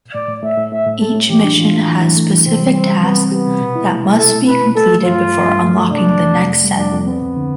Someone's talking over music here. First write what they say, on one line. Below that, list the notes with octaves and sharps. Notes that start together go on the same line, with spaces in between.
Each mission has specific tasks that must be completed before unlocking the next set.
A2 D5
A2
A2 E5
A2
A2 E5
A2
A3 A4
A2
E3 G4
D4
E3 F4
A3
E3
E3
A3
E3
C3 C4
G3
G3 C4
G3
B3 C4
C4
B3 G4
C3
B2
E4
A3
B2
B2 A4
A3
B2 B4
B2
A3 A4
A3
G2 F4
G2
G2
G2
A3
A3
C3 D4
F2
F2
C3
F2
G3
F2 D4
F2
B3 C4
D2
D3